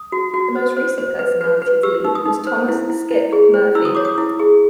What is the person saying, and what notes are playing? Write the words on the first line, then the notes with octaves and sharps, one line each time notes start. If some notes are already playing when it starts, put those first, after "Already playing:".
The most recent personality to leave was Thomas "Skip" Murphy.
Already playing: D#6
F#4
F#4
C5
C5
C5
B4
B4
B4
G4 E6
D#4 E6
D#6
D#4
C5
E4
E4
E4
G#4
C5
E4 E6
D#6
C#5 D6
D#6
E4
G#4